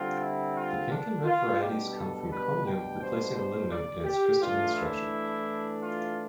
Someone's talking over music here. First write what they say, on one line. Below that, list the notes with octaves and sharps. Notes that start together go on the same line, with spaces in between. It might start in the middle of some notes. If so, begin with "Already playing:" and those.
The pink and red varieties come from chromium replacing aluminum in its crystalline structure.
Already playing: D3 G3 C4 F4
E4
F4
D4
F4
B2 G3 D4 G4
A4
B4
G5
C5
C5
D5
G4
E3 A3 D4 F4
E4
F4